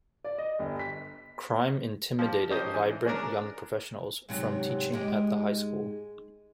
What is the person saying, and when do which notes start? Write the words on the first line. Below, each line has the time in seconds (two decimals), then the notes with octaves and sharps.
Crime intimidated vibrant young professionals from teaching at the high school.
0.25 D5
0.38 D#5
0.59 G1
0.79 B6
2.19 F3 G3
2.50 C#4 G4 A#4 C5 D#5
2.74 E3
3.05 G#3 C#4 D4 A#4
4.29 G#2 C3 F#3
4.92 G#2 G#3 G4